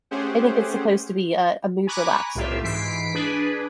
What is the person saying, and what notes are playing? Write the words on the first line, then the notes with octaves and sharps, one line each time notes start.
I think it's supposed to be a a mood relaxer.
A3 C#4 G4 G#4 C5 F#5
G#5 A#5 B5 C#6 D6 F#6
C2 A2 F4 G4 E5
G#2 E3 B6 C7 D7
D4 G#4 B4